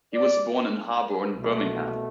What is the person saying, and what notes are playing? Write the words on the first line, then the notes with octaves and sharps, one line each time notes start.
He was born in Harborne, Birmingham.
D5
C2 B2 A3